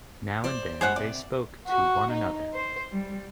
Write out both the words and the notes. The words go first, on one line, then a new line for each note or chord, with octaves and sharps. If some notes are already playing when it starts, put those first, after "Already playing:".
Now and then they spoke to one another.
C5 D5
G#2 G3 G#4 C5 F#5
C3 D5
F#4
D#4
C5
G3